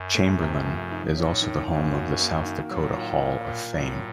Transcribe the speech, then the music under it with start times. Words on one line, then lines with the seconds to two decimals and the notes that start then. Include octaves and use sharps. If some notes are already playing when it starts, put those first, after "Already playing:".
Chamberlain is also the home of the South Dakota Hall of Fame.
Already playing: F#2
0.15 A3
0.41 C3
0.65 F3
0.91 D#4
1.16 A2 C#4
1.42 D#3
1.68 F#2 A#3
1.94 F#4
2.19 A#3
2.45 D#3
2.70 A2 F#3
2.96 F4
3.21 A#3
3.47 A#2
3.73 A2 F#3